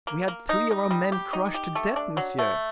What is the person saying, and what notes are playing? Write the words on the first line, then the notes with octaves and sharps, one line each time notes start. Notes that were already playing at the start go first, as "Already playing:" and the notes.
"We had three of our men crushed to death, monsieur!"
A#3
A#3
D#4
D#4
G3
G4
D#4
G4
A3
D4
F#3
A3